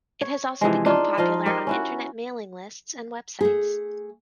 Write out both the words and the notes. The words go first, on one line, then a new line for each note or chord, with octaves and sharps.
It has also become popular on Internet mailing lists and websites.
C#5
C3 E3 F3 G#3
D4 D#4 F4
F3 D#4 F4 D#5
G4 A#4 C5 D#5
C#4 E4 F#4
A3 G#4